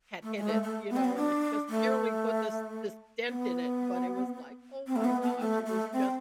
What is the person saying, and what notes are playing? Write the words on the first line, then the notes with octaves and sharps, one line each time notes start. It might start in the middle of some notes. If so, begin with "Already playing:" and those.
had hit it, you know, and it just barely put this this dent in it, but it was like, "Oh my gosh," it was just
A3
G#3
A3
A3
B3
C4
B3
D4
A3
B3
C4
A3
B3
B3
A3
A3
C4